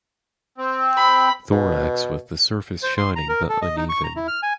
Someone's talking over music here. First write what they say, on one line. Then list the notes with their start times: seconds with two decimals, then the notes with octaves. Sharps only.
Thorax with the surface shining but uneven.
0.58 C4
0.97 B5
1.52 B2
2.83 C5
2.98 C6
3.16 A#5
3.29 A#4
3.49 A4
3.62 D#5
3.77 D#4
3.89 C#6
4.04 A#5
4.16 E4
4.28 F6
4.43 G#5